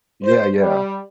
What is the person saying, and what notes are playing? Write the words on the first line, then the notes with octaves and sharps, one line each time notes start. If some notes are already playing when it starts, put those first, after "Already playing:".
Yeah, yeah.
C5
G3